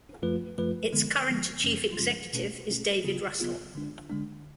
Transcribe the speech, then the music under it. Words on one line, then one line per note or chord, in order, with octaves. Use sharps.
Its current Chief Executive is David Russell.
F#2 F3 A3 F4 B4
F#2 F3 A3 F4 B4
D3 F3 G#3 B3
D3 F3 G#3 B3
F#2 C#3 F3 G#3 C#4
F#2 C#3 F3 G#3 C#4
B2 A3 C#4 G#4
B2 A3 C#4 G#4
C#3 F#3 B3 F4 G#4
C#3 F#3 B3 F4 G#4
D3 G#3 D4
D3 G#3 D4